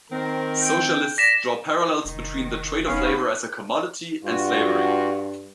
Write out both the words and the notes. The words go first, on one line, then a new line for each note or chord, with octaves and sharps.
Socialists draw parallels between the trade of labor as a commodity and slavery.
D#3 C4 A#4
G5
D5 A#6 B6 E7
F1 D#3
E1 B3 C#4 D#4 B4 F5
G2 F4 F#4